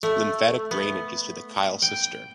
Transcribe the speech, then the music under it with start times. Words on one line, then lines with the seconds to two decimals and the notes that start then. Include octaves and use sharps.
Lymphatic drainage is to the chyle cistern.
0.03 A3
0.71 B3
1.82 G5